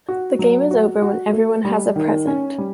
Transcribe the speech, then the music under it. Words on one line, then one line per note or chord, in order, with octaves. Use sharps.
The game is over when everyone has a present.
F#4
F#3
F#4
F#4
A3
G3
D#3
C#4
G3